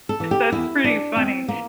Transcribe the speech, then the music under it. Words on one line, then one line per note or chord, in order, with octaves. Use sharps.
That's pretty funny.
A4
E3
G4
E2 E4
E3 D4
E2 C4
E3 A#3